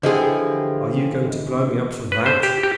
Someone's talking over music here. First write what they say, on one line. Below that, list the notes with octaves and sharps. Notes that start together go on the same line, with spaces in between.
Are you going to blow me up for that?
D3 E3 F3 G#3 G4 G#4
B4
C5
G4
G4